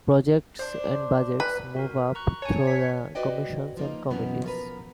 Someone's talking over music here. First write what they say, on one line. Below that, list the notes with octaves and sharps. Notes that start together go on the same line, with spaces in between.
Projects and budgets move up through the commissions and committees.
D4 C5
B4
F#4 A#4
A#5 C#6 F#6
C#5 G#5 A5
G#6 B6
F#4 B4 C5 D5 D#5 G5
F3 A#3 D#4
F#2 B2 E3 B3 C#4
F3 A#4 B4